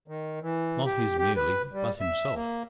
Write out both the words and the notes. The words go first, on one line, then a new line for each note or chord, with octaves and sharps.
Not his merely, but himself.
D#3
E3
G4
G4
B4
G3
E5
A#3